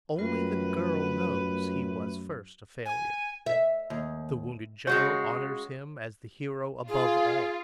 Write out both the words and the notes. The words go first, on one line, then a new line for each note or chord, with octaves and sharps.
Only the girl knows he was first a failure. The wounded general honors him as the hero above all.
F#2 G3 A3 F4 A#4 B4
G#5
E5
D#2
C#3 G#3 F#4 C#5
F4 G#4